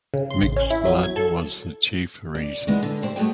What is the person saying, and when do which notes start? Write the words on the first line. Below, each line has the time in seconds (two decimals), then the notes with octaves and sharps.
Mixed blood was the chief reason.
0.14 C#3
0.30 C6
0.43 A1
0.56 C#4
0.70 E4
0.85 F#3
1.04 G#6
1.16 A4
2.35 D5
2.67 E3 G#3 B3 D4
2.83 D3
3.02 G3 C5 D5
3.16 G3 A3 F#4 G#4 G5